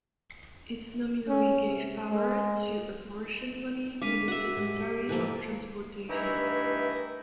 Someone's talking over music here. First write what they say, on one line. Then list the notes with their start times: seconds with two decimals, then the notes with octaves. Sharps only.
It nominally gave power to apportion money to the Secretary of Transportation.
1.28 C#4
1.68 C3
2.10 G#3
4.02 G#3 A#3 D4 F5 D6 B6 D#7
4.28 F#4 E5 F#5
4.56 A2 G#3 G4
5.09 D#3 F3 A#3 A4 B4
6.09 G2 D#3 E3 A3 D#4 E4